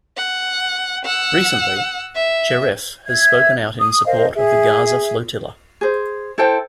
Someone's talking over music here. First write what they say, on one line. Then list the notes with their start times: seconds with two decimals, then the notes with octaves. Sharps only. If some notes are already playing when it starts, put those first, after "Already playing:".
Recently, Cherif has spoken out in support of the Gaza Flotilla.
0.17 F#5
1.05 F#5 E6
2.15 E5
3.06 E5 G#6
3.79 D#6
4.05 A#4 C5 D#5 F5
4.35 G#4 E5
5.81 G#4 C5
6.38 E4 A4 C5 G5